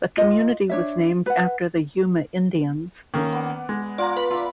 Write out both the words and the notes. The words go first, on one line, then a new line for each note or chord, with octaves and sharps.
The community was named after the Yuma Indians.
F4 D#5
D4 C#5 E5
B4 F#5
D#3 A#3 C#4
B3 D5 F#5
G#3
F4 D5 F#5 A#5
B4 B5
F4 E5 D6